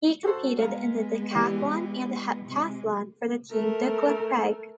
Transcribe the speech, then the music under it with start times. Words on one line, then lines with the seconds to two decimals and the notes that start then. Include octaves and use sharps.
He competed in the decathlon and heptathlon for the team "Dukla Prague".
0.23 F#4 A4 C5
0.58 G#3 B3 F5 A#5
1.31 E3 G3 G4
2.46 C3 G#3
3.51 A3 A#4